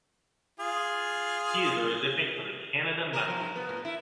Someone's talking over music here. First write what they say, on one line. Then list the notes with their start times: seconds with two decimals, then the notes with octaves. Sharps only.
He is a recipient of the Canada Medal.
0.60 F4 G#4
3.13 A#4
3.28 F3
3.40 G2
3.56 B3
3.69 A2
3.85 E4